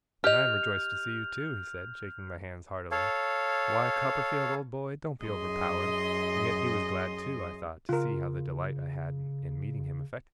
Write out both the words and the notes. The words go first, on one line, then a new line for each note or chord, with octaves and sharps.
'And I am rejoiced to see you, too!' he said, shaking my hands heartily. 'Why, Copperfield, old boy, don't be overpowered!' And yet he was glad, too, I thought, to see how the delight I had in meeting him affected me.
G4 D#5 F6 G6 F7
A4 C#5 F5
F#2 G#4 D#5 C6
C#3 F4 A#4